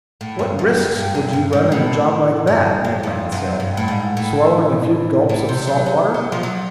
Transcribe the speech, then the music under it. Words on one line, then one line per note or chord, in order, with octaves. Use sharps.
"What risks would you run in a job like that?" Ned Land said. "Swallowing a few gulps of salt water?"
A2
G2
F#2
F#2
G2
F#2
G2
G#2
A2
G2
G2
F2
F#2
G2
A2
G#2
A2
A2
C3
F#3
G3
F#3
F3
F#3